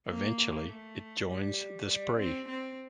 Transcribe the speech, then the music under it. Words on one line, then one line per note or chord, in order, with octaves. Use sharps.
Eventually, it joins the Spree.
A#3
A3
G3
G3
C4
C4